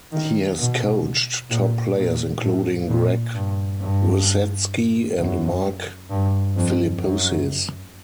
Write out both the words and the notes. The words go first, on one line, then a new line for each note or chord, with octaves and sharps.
He has coached top players including Greg Rusedski and Mark Philippoussis.
D#3
B2
A#2
A#2
A2
A#2
G2
G2
F#2
G2
F2
F#2